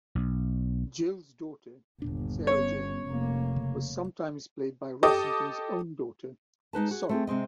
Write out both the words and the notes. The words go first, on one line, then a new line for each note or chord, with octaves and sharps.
Jill's daughter, Sarah-Jane, was sometimes played by Rossington's own daughter, Sorrel.
B1
G1 D#2 A#2 D4
B3 C#4 C#5
F1 A#3
C#3
G4 A4 D#5 D6 D#6
G#3 D#4 B4 A5
F#4 G#4
A3 C4 G#4
C3 G#3 C4 D#5